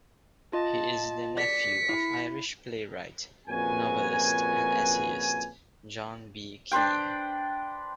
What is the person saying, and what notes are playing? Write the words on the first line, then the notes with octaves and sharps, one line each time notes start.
He is the nephew of Irish playwright, novelist and essayist John B. Keane.
F4 D#5 A5
D5 B6 C#7
E4
F2 A#2 C#3 F#4 B4 G#5
D4 B4 C5 G5